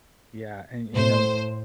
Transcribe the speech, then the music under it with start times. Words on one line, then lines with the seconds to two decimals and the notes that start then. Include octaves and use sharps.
Yeah, and, y you know
0.94 A2 C5